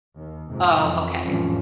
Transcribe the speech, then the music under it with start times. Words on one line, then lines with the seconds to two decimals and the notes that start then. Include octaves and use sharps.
Oh, okay.
0.15 D#2
0.47 F2 G#2 C3
0.76 F2 E3 F3
1.25 A1 F2 E3 F3 G3 C#4